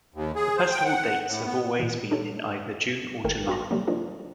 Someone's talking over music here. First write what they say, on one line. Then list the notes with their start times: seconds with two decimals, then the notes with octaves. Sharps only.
The festival dates have always been in either June or July.
0.14 D#2
0.36 G#4
0.57 C5
0.71 G5
0.85 F#5
1.28 A2
1.46 B3
1.79 A#2 E3
2.11 D4 D#4 G4 A4 C#5
3.24 G#1 A3 A#4 G5
3.47 G2 B3 F#4 C6 A#6
3.71 C3 F#3 G3 A#3
3.88 F3 A3 A#3 D4 D#4